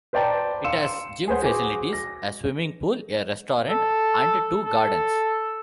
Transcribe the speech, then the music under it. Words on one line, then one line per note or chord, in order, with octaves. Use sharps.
It has gym facilities, a swimming pool, a restaurant and two gardens.
B4 C5 D5 G5 A5 A#5
F5 C6 E6 C#7 E7
G#4 B4 C5 F#5
F#4 G#4 G#5 D6
A#6
A4
A4